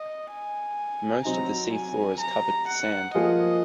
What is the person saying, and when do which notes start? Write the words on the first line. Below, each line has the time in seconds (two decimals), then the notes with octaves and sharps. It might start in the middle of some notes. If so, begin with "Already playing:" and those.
Most of the seafloor is covered with sand.
Already playing: D#5
0.31 G#5
1.25 C3 F#3 C4 D#4 A#5
1.73 G#5
2.19 A#5
2.67 F#5
3.14 F3 A#3 F4 G#4 D#5